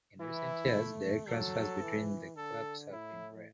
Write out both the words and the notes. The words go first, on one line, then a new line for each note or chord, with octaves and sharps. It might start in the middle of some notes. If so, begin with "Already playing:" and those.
In recent years, direct transfers between the clubs have been rare.
E3 E4
A3
F#3 A4
E3
D3 A4
A2 E4